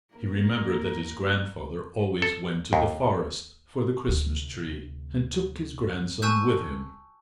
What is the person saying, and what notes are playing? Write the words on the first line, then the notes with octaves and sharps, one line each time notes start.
He remembered that his grandfather always went to the forest for the Christmas tree, and took his grandson with him.
A#3 A#4
A4
D#2
D2 C3
G#5 A5 C#6 E6 F#6 G6